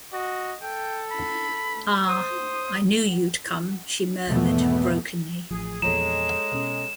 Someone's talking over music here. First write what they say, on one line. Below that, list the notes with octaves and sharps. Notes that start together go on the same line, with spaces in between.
"Ah, I knew you'd come," she murmured brokenly.
F#4 D#5
A4 G5
B5
C5 D#6
G#1 E2 B2 E3 A3 B3
A1 F3 G#4
E2 A#2 F3 G#3 A4 C#5 A#5 E7
B2 C#4